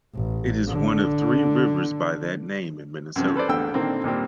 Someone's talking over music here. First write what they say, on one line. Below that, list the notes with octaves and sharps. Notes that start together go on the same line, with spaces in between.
It is one of three rivers by that name in Minnesota.
A1
D3
F#2 C3 F3
A4 B4 C5 D5
A1 E2 D3 G5 E6
A#2 D3 D#3 A#3 C4
D#2 A#2 G3 C4